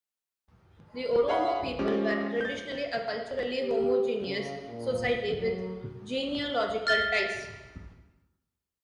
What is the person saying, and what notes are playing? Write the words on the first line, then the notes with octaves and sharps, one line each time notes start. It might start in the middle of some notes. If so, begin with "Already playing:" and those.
The Oromo people were traditionally a culturally homogeneous society with genealogical ties.
G#4 C#5 F5 F#5 B5
F3 G#3 C#4 G4
G6 A6
G4
C#3
A#2
F#3
F6 A6 G7